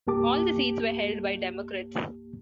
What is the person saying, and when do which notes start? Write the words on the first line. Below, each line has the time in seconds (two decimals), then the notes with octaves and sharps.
All the seats were held by Democrats.
0.07 C2 G2 A#3 G4 A5 D6